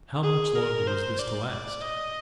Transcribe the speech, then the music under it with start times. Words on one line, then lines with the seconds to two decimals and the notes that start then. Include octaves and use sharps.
How much longer was this to last!
0.23 G#4
0.55 A#4
0.87 C5
1.19 D5
1.50 D5
1.81 D#5